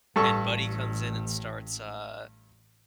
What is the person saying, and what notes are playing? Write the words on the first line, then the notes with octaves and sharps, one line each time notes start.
and Buddy comes in and starts, uh
A1 G2 A4 C#6